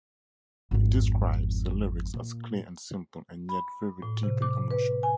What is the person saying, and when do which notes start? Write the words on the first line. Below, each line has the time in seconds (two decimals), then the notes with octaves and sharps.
He describes the lyrics as clear and simple and yet very deep and emotional.
0.71 G#1 F2
2.14 A#2
3.49 B5
4.02 A2
4.23 C3
4.42 D6
4.71 B4
5.03 G#5